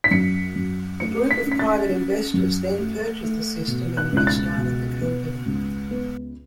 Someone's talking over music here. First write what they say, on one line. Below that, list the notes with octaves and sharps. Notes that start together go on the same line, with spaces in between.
A group of private investors then purchased the system and restarted the company.
B6
F#2 C#7
F#2
A3 C#7
B6
C#4
B6
A6
C#4
F#2
A3
A3
B2
F#6
C#2 F#6
A6
B2
B3
C#2
B3